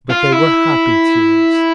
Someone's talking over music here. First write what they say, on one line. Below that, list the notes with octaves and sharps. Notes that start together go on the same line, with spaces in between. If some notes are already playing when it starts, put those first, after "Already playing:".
But they were happy tears.
F4
E4